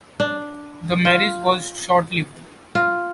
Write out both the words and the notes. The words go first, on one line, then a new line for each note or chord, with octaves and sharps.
The marriage was short-lived.
D4
F4
F4